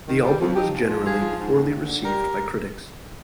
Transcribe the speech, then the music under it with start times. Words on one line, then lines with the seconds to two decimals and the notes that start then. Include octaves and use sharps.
The album was generally poorly received by critics.
0.08 D#3
0.24 G3
0.41 F2
0.56 F3 D#4 G4
0.72 G#2
0.89 F3
1.05 G#2 F4 G#4
1.22 F3
1.37 G#2
1.54 D#2
1.70 D#2
1.86 D3
2.02 G3 G4 A#4